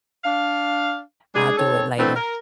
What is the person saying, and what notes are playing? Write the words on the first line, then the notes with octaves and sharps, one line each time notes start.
I'll do it later."
D4 F5
G#3 D4 G#4
D#3 C4 A4 C#5
E3 A3 B3 C4 D4
A#4